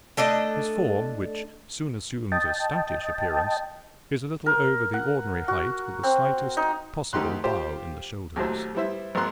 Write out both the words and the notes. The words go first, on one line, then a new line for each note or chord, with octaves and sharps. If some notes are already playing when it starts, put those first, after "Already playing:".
His form, which soon assumed a stoutish appearance, is a little over the ordinary height with the slightest possible bow in the shoulders.
A3 D4 A4 D#5
D#5 G5 A5
A#4
F#5
F#4
C4
D#4
D2 D#3 D#4 G4 C6 F#6
F4 G4 C5
D#2 A2 F#3 C5
G3 B3 E4 C5 E5
G#1 A#3 A#5 C6 F#6